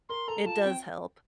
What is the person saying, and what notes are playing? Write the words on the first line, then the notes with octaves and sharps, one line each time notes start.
It does help.
A#4 C6
A4 A#5
F4 A5
C4 G5